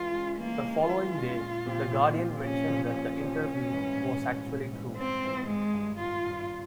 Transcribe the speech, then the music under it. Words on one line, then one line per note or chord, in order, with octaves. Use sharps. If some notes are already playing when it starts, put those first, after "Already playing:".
The following day "The Guardian" mentioned that the interview was actually true.
Already playing: E3 G#3 C#4 F4
G#3 C#4
E3 A#3
G#3 C#4
E3 F4
G#3 C#4
A#1
A#2 F3 C4 G4
A#1
A#2 F3 C4 G4
A#1 C#4
A#2 F3 C4 G4
A#1 C#4
A#2 F3 C4 G4
A#1
G#2 E3 G3
A#1
G#2 E3 G3
A#1
G#2 E3 G3
A#1 C4
G#2 E3 G3
G#1 G#3
G2 G3
G#1 F4
G2 G3